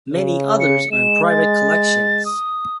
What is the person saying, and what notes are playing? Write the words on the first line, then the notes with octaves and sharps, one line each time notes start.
Many others are in private collections.
C#3
C#7
G#3 E7
A6
D#6